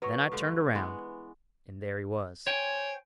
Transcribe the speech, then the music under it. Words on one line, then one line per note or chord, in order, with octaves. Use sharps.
Then I turned around and there he was.
F#3 B4 C#5 D#5 C#6
G2 D3 A3
E3 G#3 B3
C5 C#5 G5 G#5